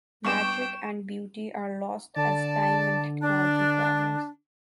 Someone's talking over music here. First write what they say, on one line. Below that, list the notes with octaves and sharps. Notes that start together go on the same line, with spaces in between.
Magic and beauty are lost as time and technology progress.
G2 B3 D5 G5 C#6 E7
D3 D5 A5
D4